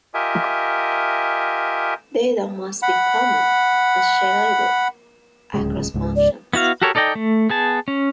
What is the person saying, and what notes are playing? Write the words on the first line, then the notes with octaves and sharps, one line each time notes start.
Data must be common and shareable across functions.
F4 G4 A#4 D#5 E5 G#5
F#5 B5
D1 C#2 G#3
C#2 G#2
D5
B3 E4 F#4 F5
F#4 G4 A4 A#4 C#5
D#4 A4 D5 D#5 G5
A3
B3 G#4 A5
C#4